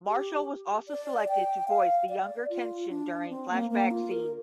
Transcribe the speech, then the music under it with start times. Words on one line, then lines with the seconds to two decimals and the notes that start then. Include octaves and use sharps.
Marshall was also selected to voice the younger Kenshin during flashback scenes.
0.07 G4
0.88 D5
1.28 G5
1.68 F5
2.09 D5
2.50 F4
2.90 D4
3.30 C4
3.51 A#3
3.70 A#3
3.91 F4
4.11 A#4